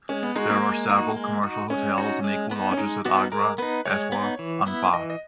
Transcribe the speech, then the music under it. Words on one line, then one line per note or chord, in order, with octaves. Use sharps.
There are several commercial hotels and eco lodges at Agra, Etawah and Bah.
G#3 C#4
B3
G#3 D#4 F#4
A#3
G#3
D#4 F#4
G#3
D#4 F#4
G#3 C#4
D#4 F#4
G#3
B3 D#4
C#4
G#3 D#4
B3 D#4 F#4
G#3 A#4
B3 D#4 B4
G#3 C#5
B3 D#4
E3
B3 E4
E3 D#5
D#5